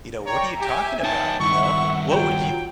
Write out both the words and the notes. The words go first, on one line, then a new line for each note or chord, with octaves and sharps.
you know, "What are you talking about?" You know? What would you
C#5 D5 G5 A#5
G4 E5 G#5
B3 D#4 C#5 G5 A5
G2 D#3 E4 E5 F#5 C#6
F#3 F4 G5